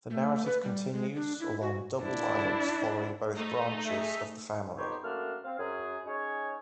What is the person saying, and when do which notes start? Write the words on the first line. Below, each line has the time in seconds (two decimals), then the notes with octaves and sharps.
The narrative continues along double lines, following both "branches" of the family.
0.10 A3
0.46 B4
0.63 G3
0.93 G#3
1.15 D4
1.40 E4
1.61 F#4
2.03 D4 E4
3.36 A3 D#4
3.85 G#4 D#5 E5
4.77 F2 B3 D#4 G4 C5 C#5
5.03 F#2 A3 A#3 D4 F6
5.44 C4 F5
5.58 F#2 G#4
6.06 C#4 D#4 G#4 C#5